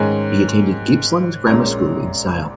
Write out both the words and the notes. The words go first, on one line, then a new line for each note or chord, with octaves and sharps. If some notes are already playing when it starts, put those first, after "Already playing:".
He attended Gippsland Grammar School in Sale.
Already playing: G#2 D#3 G#3 C#4 G#5
A#1 A#2 G#3 C#4 A#5